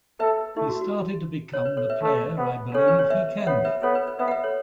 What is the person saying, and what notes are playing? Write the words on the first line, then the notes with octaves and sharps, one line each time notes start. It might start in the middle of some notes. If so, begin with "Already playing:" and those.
He started to become the player I believe he can be.
A4 B4 E5
A3 E4
F#4
F#4
C#5
B4
A4 C#5
B4 E5
A3
B3
C#4 A4 C#5
B4
C#5
B4 E5
E5
B3 C#5 F#5
B4 E5
B3 A4 C#5
B4
B4
B3 B4 E5
F#5
B4 E5
A4 C#5